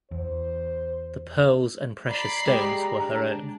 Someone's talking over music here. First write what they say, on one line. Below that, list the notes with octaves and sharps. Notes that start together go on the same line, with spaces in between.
The pearls and precious stones were her own.
E2 C5
D5 A#5 B5 C7
G#3 G4 G#4
D4